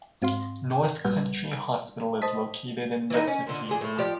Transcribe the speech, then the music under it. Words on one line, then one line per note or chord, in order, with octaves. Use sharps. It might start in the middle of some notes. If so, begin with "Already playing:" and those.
North Country Hospital is located in the city.
G#2 C4 F#4 F5 C6
A1 A#2 G3 B4 F#5
C5 D#5 A5 D#6 B6
E3 D#4
C#4
A#2 D3
D3 G#4
A2 A3
F3 G4 D5